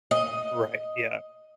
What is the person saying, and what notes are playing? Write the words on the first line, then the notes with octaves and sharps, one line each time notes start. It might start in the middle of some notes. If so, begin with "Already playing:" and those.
Right, yeah.
D#5